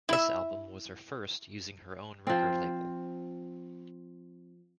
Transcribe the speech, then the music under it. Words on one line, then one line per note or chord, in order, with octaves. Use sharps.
This album was her first using her own record label.
E4 E5
F3 C4